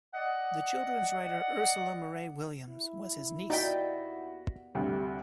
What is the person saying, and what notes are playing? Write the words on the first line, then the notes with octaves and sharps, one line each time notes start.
The children's writer Ursula Moray Williams was his niece.
D5 D#5 F#5
E4
D#2 B3 D#4 F#4 D5 G5 B6
D2 G2 C3 G4